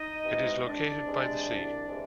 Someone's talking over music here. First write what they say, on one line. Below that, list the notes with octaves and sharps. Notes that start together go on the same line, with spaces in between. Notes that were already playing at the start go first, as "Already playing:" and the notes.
It is located by the sea.
Already playing: D#4 D#5
C3 E3 G#3
C2 D4 D5
C3 E3 G#3
C2
C3 E3 G#3